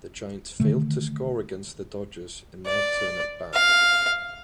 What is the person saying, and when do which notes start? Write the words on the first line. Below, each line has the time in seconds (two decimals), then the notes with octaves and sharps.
The Giants failed to score against the Dodgers in their turn at bat.
0.60 D3 D#3 A3
2.66 D5
3.54 F5